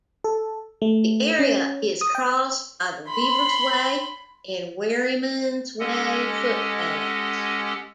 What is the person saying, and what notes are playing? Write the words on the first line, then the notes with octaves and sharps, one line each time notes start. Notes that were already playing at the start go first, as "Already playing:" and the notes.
The area is crossed by the Weavers' Way and Wherryman's Way footpaths.
A4
A3
C#4
D#6
G5
B5 C6
G#3 C#4 G4 A4 D#5 F#5